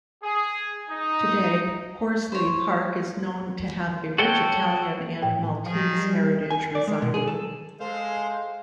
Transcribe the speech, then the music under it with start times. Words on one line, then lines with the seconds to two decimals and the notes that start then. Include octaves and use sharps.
Today, Horsley Park is known to have a rich Italian and Maltese heritage residing.
0.23 G#4
0.89 D#4
2.32 C5 C#5
4.18 F#4 A4 C#5 G5
5.22 A2 G5
5.66 D#3 F3 G#4
5.99 G3
6.50 G#5
6.75 D5
6.87 G#3
7.02 B2
7.14 G#4
7.27 A4
7.80 G#3 A4 C5 F5